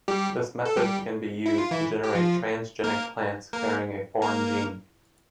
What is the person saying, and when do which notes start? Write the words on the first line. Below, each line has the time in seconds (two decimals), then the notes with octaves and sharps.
This method can be used to generate transgenic plants carrying a foreign gene.
0.08 G3 G4
0.65 A4
0.77 G3 G4
1.46 E4
1.58 F4
1.71 E3 E4
2.03 G4
2.15 F3 F4
2.84 A#3 A#4
3.53 A#3 A#4
4.22 A#3 A#4